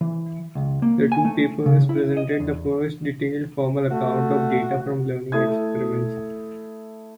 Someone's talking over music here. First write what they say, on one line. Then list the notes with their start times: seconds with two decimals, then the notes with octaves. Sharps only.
These two papers presented the first detailed formal accounts of data from learning experiments.
0.01 E3
0.55 C#2
0.82 A#3
1.12 G#5
1.25 A3
1.66 C#3
1.89 E4
2.17 D#5
2.40 E2
3.91 A3 F#4
5.32 A3 E4 D#6 G#6